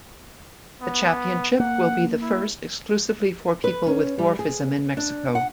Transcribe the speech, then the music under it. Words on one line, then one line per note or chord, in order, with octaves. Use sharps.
The championship will be the first exclusively for people with dwarfism in Mexico.
B3
A#3 F#5
E4
B4
C#4
G3
G#4
D4
F#5